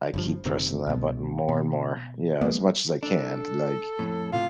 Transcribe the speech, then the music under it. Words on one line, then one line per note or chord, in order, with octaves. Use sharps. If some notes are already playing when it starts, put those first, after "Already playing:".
I keep pressing that button more and more. Yeah, as much as I can, like
G1 G2 F3
F#1 C3 D#3 C4
C2 B2
B2
F3 G#3 A#3 B3
D4 A4
F2 A2
A2 C3 F4